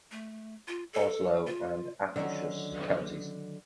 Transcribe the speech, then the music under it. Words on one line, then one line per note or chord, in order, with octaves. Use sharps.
Oslo and Akershus counties.
A3
F4
A4
F4
D3 D#3 F3 F#3 C#4